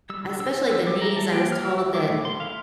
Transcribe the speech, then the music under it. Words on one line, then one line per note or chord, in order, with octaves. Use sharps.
Especially the knees, I was told that
G3 E6
D3
D4 E6
F4
A#3 E6
G3 D6
E4 A#5
G3 A5
A#3 G5
G3 F6
E4 E6
G3 E6
E4 D6
A3
A3 C6
E4 F5